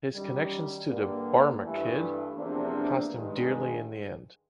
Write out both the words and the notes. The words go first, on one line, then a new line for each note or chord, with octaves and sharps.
His connections to the Barmakid cost him dearly in the end.
F#2 D#3 G3
G2 D3 G3 A#3
G2 E3 A3
E2 C3 F3 A#3 D4
G2 D#3 G#3